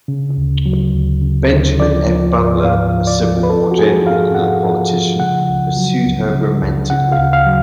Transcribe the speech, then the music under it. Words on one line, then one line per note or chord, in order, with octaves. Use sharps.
Benjamin F. Butler, a Civil War general and a politician, pursued her romantically.
C#3
D2
F#3
D2
C#3
D2
F3 D5
F3
G#2
G#2 F5
F3
D5
F3
B4
F3 A4
F#4
F3 G#4
G#2 F5
G#2 F#5
F3
F3
C#3 F#5
C#2
F#3
C#2
C#3
C#2
C#3 F#5
F5
D2
F5
F#3